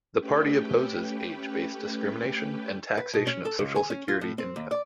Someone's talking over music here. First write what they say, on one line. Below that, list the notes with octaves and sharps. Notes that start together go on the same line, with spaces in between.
The party opposes age-based discrimination and taxation of Social Security income.
A3 C#4 G4 B4 G5
B4
B2
C#4
A4
C#2
G#5
C#4
F4
A2
C4
D#2
D5